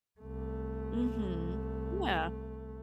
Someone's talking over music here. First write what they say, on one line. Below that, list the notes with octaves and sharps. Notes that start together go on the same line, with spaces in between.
Mhm. Yeah.
C2 A3